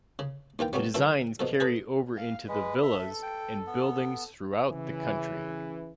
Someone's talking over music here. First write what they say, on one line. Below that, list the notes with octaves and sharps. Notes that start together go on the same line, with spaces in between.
The designs carry over into the villas and buildings throughout the country.
C#3
D#2 E3 F4 G5
F#3 G3 A3 B3 C#4
D3 E3 F#3 E4 A4
B2 F3 A4
G#4 A4 B4
F5
G#3 B4
A4 E5
G5
B3
C#3 E3